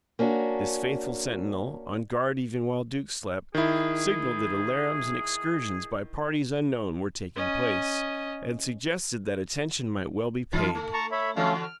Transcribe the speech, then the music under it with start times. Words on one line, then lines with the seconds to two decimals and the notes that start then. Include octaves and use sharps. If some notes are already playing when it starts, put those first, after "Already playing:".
This faithful sentinel, on guard even while Duke slept, signalled that alarums and excursions by parties unknown were taking place, and suggested that attention might well be paid.
0.19 A#3 C#4 D4 F#4
3.54 D#3 E4 G#4
7.36 C#4 D#5
10.53 E3 D#4 F4
10.75 A3
10.93 A5 A#5 C#6
11.11 C#5 E5 B5
11.36 D3 E3 A3 C#4 F#4 F5
11.63 F6